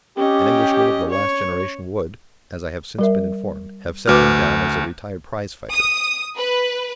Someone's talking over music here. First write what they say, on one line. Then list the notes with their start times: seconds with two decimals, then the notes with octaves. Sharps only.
An Englishman of the last generation would, as I have since been informed, have set him down as a retired prize-fighter.
0.17 C#4 G4 D#5
1.10 C#5
2.99 G3 A#4 E5
4.08 D2 F#4 B4 D6 F6
5.73 D#6
6.37 B4